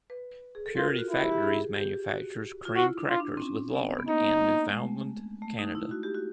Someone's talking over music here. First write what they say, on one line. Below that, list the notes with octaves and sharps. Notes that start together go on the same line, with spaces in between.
Purity Factories manufactures cream crackers with lard in Newfoundland, Canada.
B4
G#4
A4
F4 A#4
F4
F#4
E4
F#4
G4
G4
G#4
G4
F#4
F4
E4 F#4
D4
F4
D4
C4
C#4
B3
B3
A#3 D#4
G#3
A3
A3
D#4
E4
F#4
G4
F#4